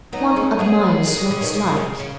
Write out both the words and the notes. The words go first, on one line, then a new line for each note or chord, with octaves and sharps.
One admires one's like.
F#3 B3 D#4
G#3 C#4
F#3 B3 G#4
D#3 G#3
C#3 F#3
C#3 F#3
B2 D#3
C#3
D#3
C#3
C#3